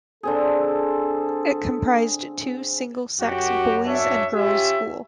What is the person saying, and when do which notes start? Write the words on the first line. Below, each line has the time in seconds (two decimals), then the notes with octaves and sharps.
It comprises two single-sex boys and girls school.
0.23 D3 C4 G#4 A4
3.21 F#2 F#4 G4
3.86 D4 C#5 E5
4.34 C#4 F4 G4 E5